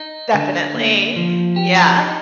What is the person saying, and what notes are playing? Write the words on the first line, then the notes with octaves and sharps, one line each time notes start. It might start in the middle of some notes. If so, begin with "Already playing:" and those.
Definitely, yeah.
Already playing: D#4
D3
A#3
F3
G4
D#4